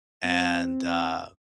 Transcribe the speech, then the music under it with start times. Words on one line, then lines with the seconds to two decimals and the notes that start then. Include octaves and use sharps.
and, uh,
0.25 C4